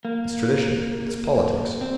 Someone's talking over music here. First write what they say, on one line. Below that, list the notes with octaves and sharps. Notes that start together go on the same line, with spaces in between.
It's tradition--it's politics.
A#3
C4